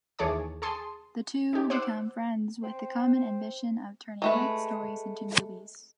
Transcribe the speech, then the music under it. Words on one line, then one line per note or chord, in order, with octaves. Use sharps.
The two become friends with the common ambition of turning great stories into movies.
D#2 E3 G#4 C#5 A5 D6
G#4 A5 C6 D#6
D#4 G4
C5 F#5 D6 E6 F#6
C4
G#3 A3 B4